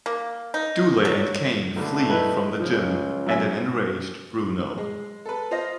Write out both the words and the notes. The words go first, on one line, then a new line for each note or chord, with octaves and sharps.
Dooley and Kane flee from the gym and an enraged Bruno.
A#3
D#4
F#3
B1 D3 A3
D#4 E4 B4
C#2 F3
F#3 E5 G#5
G#3
A4 B4
F4 C5 D#5 A#6